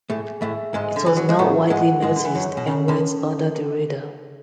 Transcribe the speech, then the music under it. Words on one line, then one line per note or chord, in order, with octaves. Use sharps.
It was not widely noticed and went under the radar.
A2 A3 G#4
A2 A3 E5
G#2 G#3 G#4
D3
E3 B4
F#3
G#3
A2 A3 G#4
G#2 G#3 F#5
G#2 G#3 G#4
D3
E3
F#2 F#3 C#5
B2
C#3 C#4
D2 D3
A4